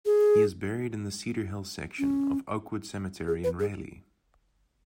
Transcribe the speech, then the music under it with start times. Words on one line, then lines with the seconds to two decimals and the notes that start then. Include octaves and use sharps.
He is buried in the Cedar Hill Section of Oakwood Cemetery in Raleigh.
0.06 G#4
1.99 C#4
3.28 G#4
3.44 B4
3.60 G#4